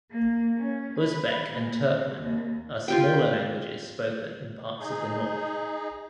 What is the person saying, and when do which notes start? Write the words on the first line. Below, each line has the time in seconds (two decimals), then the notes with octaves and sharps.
Uzbek and Turkmen are smaller languages spoken in parts of the north.
0.10 A#3
0.56 C#4
0.99 B4
1.52 A#2
1.85 C3
2.22 D#2
2.88 F4 G4 G5
4.79 D#4 G#4